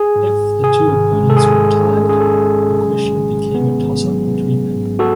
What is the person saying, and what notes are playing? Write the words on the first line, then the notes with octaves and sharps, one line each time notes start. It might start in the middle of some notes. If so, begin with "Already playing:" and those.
If the two opponents were tied, the question became a toss-up between them.
Already playing: G#1 G#4
G#2
G#1
G#1 G#4
G#1
G#3
A4
G#1 G#4
G#2
C#4
C#4 G#4
A4
G#3 G#4
C#4
F#3
G#1
G#1
B3
G#1
F#3
B3
G#1
G#2
B3 F#4 A4